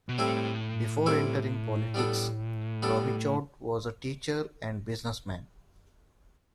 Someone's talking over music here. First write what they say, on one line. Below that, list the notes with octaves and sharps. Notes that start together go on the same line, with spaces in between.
Before entering politics, Robichaud was a teacher and businessman.
B2
A2 G3 C4 E4 A4
G3 C4 E4 A4
G3 B3 D4 A4
G3 B3 D4 A4